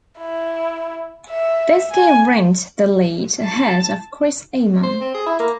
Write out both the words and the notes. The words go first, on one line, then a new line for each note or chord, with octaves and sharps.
This gave Rindt the lead, ahead of Chris Amon.
E4
E5
G#5
A5
C5
C4
G#4
E4
A#3